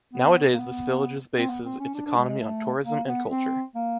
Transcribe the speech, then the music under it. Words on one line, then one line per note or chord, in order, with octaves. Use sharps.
Nowadays this villages bases its economy on tourism and culture.
B3
A#3
B3
C4
B3
C4
C#4
D4
D4
G#3
G#3
A3
A#3
B3
C4
A#3